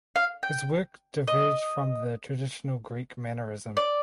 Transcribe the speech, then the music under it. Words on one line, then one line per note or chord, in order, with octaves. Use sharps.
His work diverged from the traditional Greek mannerism.
F5
G5
D#5
D5